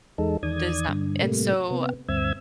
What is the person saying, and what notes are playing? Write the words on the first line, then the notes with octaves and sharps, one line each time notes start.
Does that and so
E2 G#3 D#4 A4
E2 D#3 D5 D#6 G#6
G2 D3
A2 C3 G3 A3 A#3
C3 B3
D2 G2 C4 E5 E6 G#6